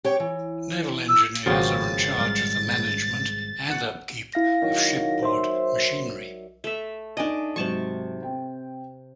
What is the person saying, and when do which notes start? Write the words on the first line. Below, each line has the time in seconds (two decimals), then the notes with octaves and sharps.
Naval engineers are in charge of the management and upkeep of ship-board machinery.
0.05 G4 C#5 G5
0.20 E3
1.09 E6
1.46 G#1 C#3 F3 F#4 G4 A6
2.18 G#2 G3 G#3 F5
3.70 F#5
4.34 E4 F5 A#6
4.62 D#3 F#3
5.22 C5 D5 E5 C6
6.64 A3 E5
7.17 D4 D#4 D#5 G#5 D7
7.56 G#2 C3 F#3 A5 C#6
8.23 C4 G5